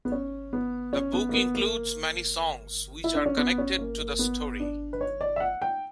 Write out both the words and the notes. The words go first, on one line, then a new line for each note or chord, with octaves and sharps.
The book includes many songs which are connected to the story.
B3
C#4
B3
C#4
B3
A#3
B3
A#3
E4
D4
C#4
B3
C#4
A#3
A#3
B3
D4
B4
C#5
D5
E5
F#5
G5